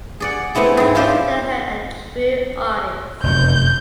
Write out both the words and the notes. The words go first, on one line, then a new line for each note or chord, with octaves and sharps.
I consider her a true artist.
G#4 D5 F#5
A3 B3 C4 E4 G#4
G#2 G#4
E4 F4 G#4 C5 D5 E5
F1 F#2 G6